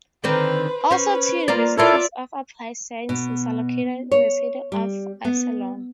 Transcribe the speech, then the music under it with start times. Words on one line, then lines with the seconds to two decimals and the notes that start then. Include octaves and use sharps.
Also two universities of applied sciences are located in the city of Iserlohn.
0.24 D3 D#3 C4 B4 C5
0.91 C#4 B4 C5
1.48 A#3 F4 D5
1.78 E4 F4 A4 A#4 C#5 D5 E5
3.09 B2
4.12 C#5
4.72 G3
5.25 B3